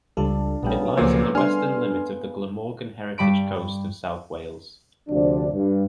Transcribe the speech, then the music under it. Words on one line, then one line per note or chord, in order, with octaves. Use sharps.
It lies on the western limit of the Glamorgan Heritage Coast of south Wales.
C#2 G3 D4 F4 A4 F5
A#1 C#3 G3 A3 B3 G5
F#3
C#2 A#2 F3 F#3 A#3 C5
G3 D4 G#5 C6 F6
G2 G3 B5 D7
D2 C3 F3 D4
G2